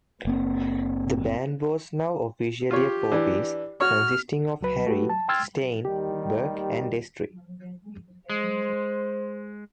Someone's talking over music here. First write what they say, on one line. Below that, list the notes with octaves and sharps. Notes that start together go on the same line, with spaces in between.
The band was now officially a four-piece, consisting of Harry, Stein, Burke and Destri.
F#1 A#3 C4
F4 G4 C#5
E3 D4
F#4 C#5 F6
C#2 F#3 B4
A3 F#4 G4 B4
A5
G5 C6 E6 F6 G#6 A6
D#2 D#3 G3 G4
G#3 C5